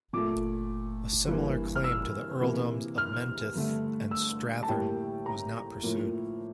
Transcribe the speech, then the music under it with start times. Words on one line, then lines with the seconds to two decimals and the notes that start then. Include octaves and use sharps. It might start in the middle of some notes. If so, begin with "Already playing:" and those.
A similar claim to the Earldoms of Menteith and Strathearn was not pursued.
0.13 A#2 A3 D6
1.27 G2 E3 A#3
1.75 F6
1.84 E6
2.41 C3 E3 A#3
2.98 F6
3.55 G2 D3 A3
4.11 E6
4.63 A5
4.68 A2 G3 A#3 G5
5.26 A#5
5.83 A2 F3 A#3